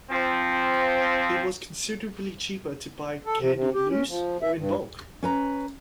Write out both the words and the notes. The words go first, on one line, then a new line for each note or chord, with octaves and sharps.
It was considerably cheaper to buy candy loose, or in bulk.
F3 C4
A4
C3
C3
G4
C#4
F3
E5
G2
C#4 B4 A#5